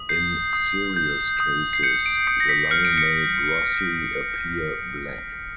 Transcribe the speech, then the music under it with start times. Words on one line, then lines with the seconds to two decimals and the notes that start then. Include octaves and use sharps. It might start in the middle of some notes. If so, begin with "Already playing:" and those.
In serious cases, the lung may grossly appear black.
Already playing: D#6
0.09 G6 C7
0.53 D#6
0.96 G6
1.40 D#6
1.73 C7
1.83 G6 C#7
2.06 D7
2.27 D#6 C7
2.40 A#6
2.49 B6
2.71 F6 C#7
2.85 D7
2.98 C#7